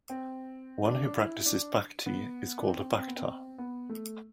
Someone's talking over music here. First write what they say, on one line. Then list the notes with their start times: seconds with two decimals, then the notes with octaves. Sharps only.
One who practices "bhakti" is called a "bhakta".
0.10 C4
0.85 D4
1.04 D4
1.16 E4
1.46 D4
2.06 B3
2.59 D4
2.67 C4
2.98 C4
3.08 B3
3.16 C4
3.58 B3
3.89 A3